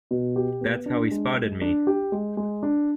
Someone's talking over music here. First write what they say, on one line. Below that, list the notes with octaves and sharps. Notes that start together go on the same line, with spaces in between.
That's how he spotted me.
B2
G4
B3
D4
G#3
G#3
D4
G4
G#3
G#3
D4